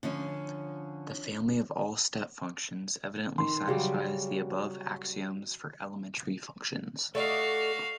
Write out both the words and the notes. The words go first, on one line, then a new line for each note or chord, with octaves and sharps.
The family of all step functions evidently satisfies the above axioms for elementary functions.
D3 F3 C#4
D#3 C6
C#3 F#3 G3 F#4
A3 F#4 D5 D#5 F5